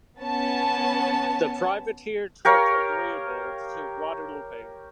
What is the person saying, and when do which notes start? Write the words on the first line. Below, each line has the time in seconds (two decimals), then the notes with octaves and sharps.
The privateer took "Agreeable" to Guadeloupe.
0.19 B3 C#4 A5
2.45 G4 A#4 C#5 F5